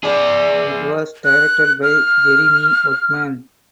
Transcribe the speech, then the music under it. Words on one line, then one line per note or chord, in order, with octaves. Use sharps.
It was directed by Jeremy Workman.
G#4 D5
F#6
F6